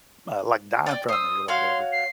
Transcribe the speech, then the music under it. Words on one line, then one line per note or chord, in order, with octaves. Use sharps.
uh like dying from it or whatever.
D5 D#5 G5
C5 D#6 E6
F#4 C#5 F5 C6
C7